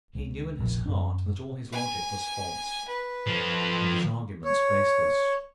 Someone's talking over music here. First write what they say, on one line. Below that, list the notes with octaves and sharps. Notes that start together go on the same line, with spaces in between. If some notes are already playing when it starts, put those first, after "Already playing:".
He knew in his heart that all his logic was false, and his arguments baseless.
C#2
F1 A#1
F#2 C#4
G#5
B4
F3 A4
C#5